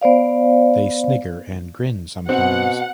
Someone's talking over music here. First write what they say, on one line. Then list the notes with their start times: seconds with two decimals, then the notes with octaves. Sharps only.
They snigger and grin sometimes.
0.01 B3 C5 D5 F5
2.29 B2 C4 F#5